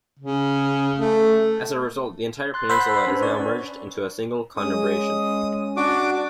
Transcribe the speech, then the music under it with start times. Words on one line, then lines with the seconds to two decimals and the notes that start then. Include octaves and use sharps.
As a result, the entire peninsula is now merged into a single conurbation.
0.19 C#3
0.99 A3
2.54 C6 F#6 A6
2.69 C5 F#5 B5 C6 E6
3.07 C#4 D4 B4
3.23 C#5 D5
4.57 G#3 C#4 D#6
5.77 D4 F#4 D6